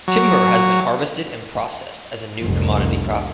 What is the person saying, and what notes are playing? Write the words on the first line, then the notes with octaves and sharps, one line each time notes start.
Timber has been harvested and processed as a new commodity crop.
F#3
F1 C2